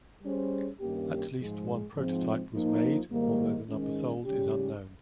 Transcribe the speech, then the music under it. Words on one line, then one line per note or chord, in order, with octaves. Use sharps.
At least one prototype was made although the number sold is unknown.
G3 C#4 G#4 C5
G2 D#3 A#3 C#4 G4
G#2 F3 G#3
G#2 F3 C4
F3 A#3 D#4
G#2 D#3 G3 A#3
G#2 D#3 G#3 C#4
C#3 G3 C#4 G4